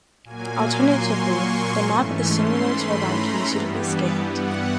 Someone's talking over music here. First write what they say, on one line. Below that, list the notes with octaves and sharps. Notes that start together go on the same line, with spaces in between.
Alternatively, the map of a similar turbine can be suitably scaled.
A#2 F#3 A#3 G#5
C6
C#6
G#2 E3 A3 C#4
C6
B5
A#5
G2 E3 G3 B3
F#5